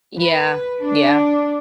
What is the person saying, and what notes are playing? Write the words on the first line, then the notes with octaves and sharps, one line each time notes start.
Yeah, yeah.
B4
D4